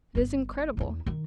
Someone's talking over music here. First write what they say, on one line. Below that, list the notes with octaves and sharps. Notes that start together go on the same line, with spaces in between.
It is incredible!
G1 B3
E2 E4
D#3 D#4